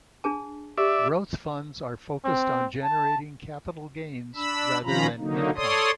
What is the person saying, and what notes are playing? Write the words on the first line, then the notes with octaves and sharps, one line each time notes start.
Growth funds are focused on generating capital gains rather than income.
D4 G#4 A5
G4 D5 E5
C4
A5
D4 B5 E6
D#3 F3 C#4 F4 A#5 B5
D3 F#3 A#3 D#4
A4 C#5 D5 C6 D#6